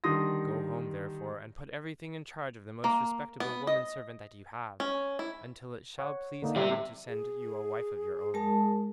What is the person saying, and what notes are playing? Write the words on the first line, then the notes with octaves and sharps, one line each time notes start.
Go home, therefore, and put everything in charge of the most respectable woman servant that you have, until it shall please heaven to send you a wife of your own.
D3 D#3 G3 C6 D#6 A#6
A#3
B3
D#5
C#4
E4
C#5 F#5
D3 A#3 D#4
C3 G3 E5
G#4
G#3 A#4 A5